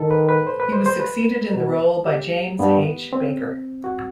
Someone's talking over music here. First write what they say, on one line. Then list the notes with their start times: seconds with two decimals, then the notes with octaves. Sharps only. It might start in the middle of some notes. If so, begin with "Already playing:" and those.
He was succeeded in the role by James H. Baker.
Already playing: D#3 A4
0.11 B4
0.29 B4
0.47 C5
0.60 B4
0.73 C5
0.86 C5
1.00 B4
1.53 B2
2.06 G4
2.59 G2 B3
3.13 C4
3.84 F#4